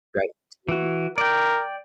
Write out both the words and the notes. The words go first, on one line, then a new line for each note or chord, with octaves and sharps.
right, tea
E3 F#4
A#4 D5 G5